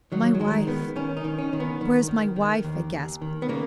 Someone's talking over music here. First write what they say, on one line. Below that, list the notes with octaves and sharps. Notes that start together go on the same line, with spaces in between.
"My wife--where is my wife?" I gasped.
D#3 F#3
F#3
D#3 G#3
D#3 B3
D#3 C#4
D#4
D#3
C#4
D#3
B3
D#3
D#3
D#3
D#2
D#2
D#3
B3
C#3 A#3